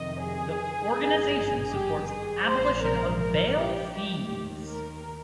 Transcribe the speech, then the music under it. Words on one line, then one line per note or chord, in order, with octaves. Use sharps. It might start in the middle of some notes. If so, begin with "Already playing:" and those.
The organization supports abolition of bail fees.
Already playing: F2 C3 D#3 D#5
G#4
G#1 G2 F3
G4
G#4
A#1 G#2 F3 C5
A#4
A#4
G4
D#2 D#3 G4
A#4